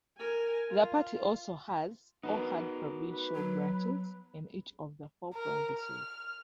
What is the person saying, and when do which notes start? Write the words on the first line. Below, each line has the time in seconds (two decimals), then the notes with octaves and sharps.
The party also has or had provincial branches in each of the four provinces.
0.18 A#4 G#5
0.70 F4
2.23 B3 D#4 F#4 A#4
3.10 B4
3.35 F#3
5.34 A#4
5.79 F6